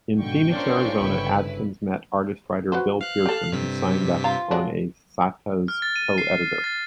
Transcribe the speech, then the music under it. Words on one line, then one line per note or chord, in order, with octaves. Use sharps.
In Phoenix, Arizona, Adkins met artist-writer Bill Pearson who signed on as "Sata"'s co-editor.
G#2 B2 D3 G5 C#6
C#4 D4 F4 A#4 C5
G1 C#3 E4 B4
F#4 B4 C5
F5 F#6
G4 A4
G2 C3 B6
F4 A#5
F#3 G#3 D4
F6
A6
D#7
C7
A6